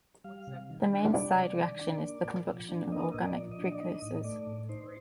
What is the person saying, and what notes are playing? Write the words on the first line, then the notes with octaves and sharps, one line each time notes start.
The main side reaction is the combustion of organic precursors.
G3 F5
C3
D#3
D4
G3 D5
C3
D#3
D4
A#3
A#2
F3
D4
A#3 D#5
A#2 D#5
D5
F3
D#5
D4
D5
D#4 D#5
A2
A3 D5
A2
D#4 C5